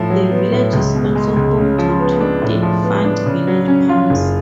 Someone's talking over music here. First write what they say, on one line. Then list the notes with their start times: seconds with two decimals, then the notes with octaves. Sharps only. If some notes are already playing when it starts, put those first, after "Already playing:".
The village is also home to two defunct village pumps.
Already playing: A2 F3
0.10 F#3
0.31 B3
0.52 A2
0.73 C#2
0.95 B2
1.15 G#3
1.37 C#2
1.58 C#3
1.78 F3
2.00 B3
2.21 D4
2.42 A2
2.63 F3
2.84 B3
3.05 D4
3.26 C#3
3.47 F#3
3.68 C#4
3.89 F4
4.10 F#1